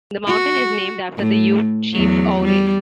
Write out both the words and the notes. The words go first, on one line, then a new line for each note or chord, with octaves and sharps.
The mountain is named after the Ute Chief Ouray.
F#4
A2
E2 F#3
G3